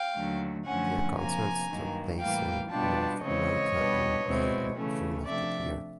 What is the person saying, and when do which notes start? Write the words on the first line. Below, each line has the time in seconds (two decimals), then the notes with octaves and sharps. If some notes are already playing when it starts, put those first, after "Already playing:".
The concerts took place in North America in May and June of that year.
Already playing: F5 G5
0.15 D#2 D3 F#3 A3
0.65 F#2 D3 F3 A3 C#4 F#5 G#5
1.16 C3 F3 A#3 G#5 A#5
1.69 G2 D#3 F#3 A#3
2.19 A2 E3 G3 A#3 F5 G5
2.70 B2 G3 B3 D4 F4 G5 A5
3.21 C#3 E3 G#3 C4 C#5 D#5
3.73 B2 G3 B3 D4
4.24 B2 G#3 C4 E4
4.75 C#3 E3 A3 C#4
5.26 C3 F3 A3 D4 D5 E5